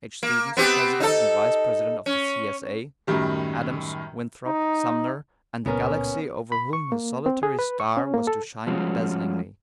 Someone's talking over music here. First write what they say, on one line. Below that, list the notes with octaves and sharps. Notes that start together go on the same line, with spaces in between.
H. Stephens, President and Vice-President of the C. S. A.; Adams, Winthrop, Sumner, and the galaxy over whom his solitary star was to shine dazzlingly.
A#3
B3 C4 G4
D#4 A4
C#4
F#2 A2 D#3 G3
D#4
C#2 A#2 B3 C#4 A#4
B5
C#6
A#3
C4
G#4
B4
C#6
C#4
A#3
A4
F3 G3 G#3 C#4 F4 F#4